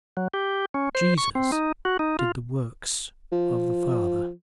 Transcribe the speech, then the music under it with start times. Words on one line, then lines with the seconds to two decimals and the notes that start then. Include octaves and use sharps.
Jesus did the works of the Father.
0.17 F#3
0.34 G4
0.74 C#4
0.95 C5
1.18 C#6
1.35 C4
1.52 D#4
1.85 F#4
1.99 D#4
2.19 F4
3.32 F3